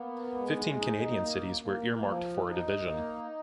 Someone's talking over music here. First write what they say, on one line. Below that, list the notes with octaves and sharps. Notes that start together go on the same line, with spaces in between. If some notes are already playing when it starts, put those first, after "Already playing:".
Fifteen Canadian cities were earmarked for a division.
Already playing: A#3 B3
G#3
D#4
A#3
A#3
F3
D#4
A#3